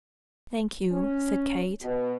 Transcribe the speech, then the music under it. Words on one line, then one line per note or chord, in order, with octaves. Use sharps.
"Thank you," said Kate.
C#4
B2